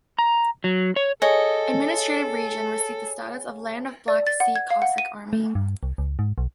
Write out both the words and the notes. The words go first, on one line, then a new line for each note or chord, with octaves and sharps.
Administrative region received the status of "Land of Black Sea Cossack Army".
A#5
F#3
C#5
G#4 A4 C#5 D#5 G#5
D5
A6
F#5
G#6
F5
F#5
D#7
A3
G2
C2
C#2
G#2
B1